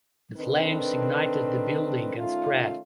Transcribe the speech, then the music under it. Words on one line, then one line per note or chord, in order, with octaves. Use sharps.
The flames ignited the building and spread.
D#3 C4 D4 A4 B4
D#3 A3 C#4 D#4 F4